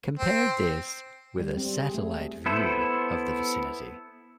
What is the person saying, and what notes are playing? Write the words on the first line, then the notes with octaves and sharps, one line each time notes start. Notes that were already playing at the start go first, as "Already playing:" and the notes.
Compare this with a satellite view of the vicinity.
C4
G3
C4
G#4
A3
B3 E4 A4 C5